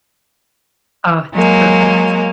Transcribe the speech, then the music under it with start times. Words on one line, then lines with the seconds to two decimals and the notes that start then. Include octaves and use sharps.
Oh, it's perfect.
1.33 F#3 G#3 A#3